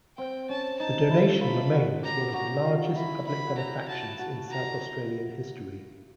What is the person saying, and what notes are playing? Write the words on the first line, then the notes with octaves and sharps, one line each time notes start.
The donation remains one of the largest public benefactions in South Australian history.
C4 G5
C#4 A5
D#4 A5
E4
F4 B5
F#4
G4 A#5
F#4 A#5
F4
E4 B5
E4 B5
F#4
A#5
G4
F#4 A5
F#4
G4 A#5